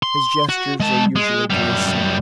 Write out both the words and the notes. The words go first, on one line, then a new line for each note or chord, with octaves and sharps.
His gestures are usually very simple.
C6
F#4
G#3 A5
G#3
F#2 G3